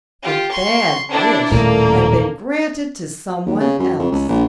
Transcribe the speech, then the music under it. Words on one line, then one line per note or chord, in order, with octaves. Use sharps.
The bad wish had been granted to someone else.
F4 G4
C6 C#6
D4 E4
D#1 A2 A3 A#3 A4 D5
D#2
C#3
F#2
F2
C#2
A#1